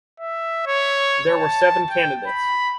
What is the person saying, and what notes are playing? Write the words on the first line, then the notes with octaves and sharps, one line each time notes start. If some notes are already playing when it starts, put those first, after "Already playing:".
There were seven candidates.
E5
C#5
A5
G5
B5